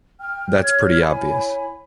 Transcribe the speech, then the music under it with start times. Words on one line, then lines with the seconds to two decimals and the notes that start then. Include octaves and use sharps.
That's pretty obvious.
0.19 G5 F6
0.63 C#5 F6 G#6
1.02 E4 C#5 G#5 B5